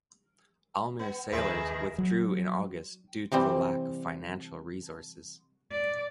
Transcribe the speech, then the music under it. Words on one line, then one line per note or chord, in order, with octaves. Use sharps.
Almere Sailors withdrew in August due to the lack of financial resources.
B3
D#2 D#3 G#3 G#4 B4 E5
F#3
C3 E3 G3 C4
D5